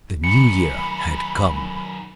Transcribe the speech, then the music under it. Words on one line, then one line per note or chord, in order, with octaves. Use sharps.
The new year had come.
F#2 D#3 B5 C#7